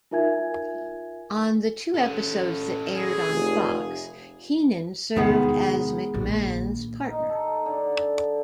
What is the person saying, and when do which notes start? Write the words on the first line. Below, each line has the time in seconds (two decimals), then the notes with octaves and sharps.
On the two episodes that aired on Fox, Heenan served as McMahon's partner.
0.11 D#4 F4 A#4 E5 G#5 G#6
1.95 C#4 A4
2.96 G#4
3.28 F1
5.16 E2 C3 D#3 G#3 B3
6.14 A#1
7.07 D#4
7.30 A4
7.66 D3